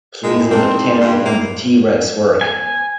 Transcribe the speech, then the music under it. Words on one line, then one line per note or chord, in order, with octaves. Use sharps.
Please look up Tammy and the T-Rex work.
A2 G#3 C4 D#4
G#3 C4 D4 D#4 C6
G2
A#3 E4
G#5